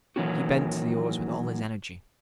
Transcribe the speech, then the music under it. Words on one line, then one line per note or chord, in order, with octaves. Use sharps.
He bent to the oars with all his energy.
A#2 D#3 E3 F#3 C#4 F#4